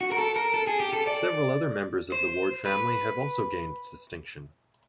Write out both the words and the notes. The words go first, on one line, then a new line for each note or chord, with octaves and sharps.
Several other members of the Ward family have also gained distinction.
F#4
A#4
A4
A#4
A4
G#4
G4
A4
D5
C5
B4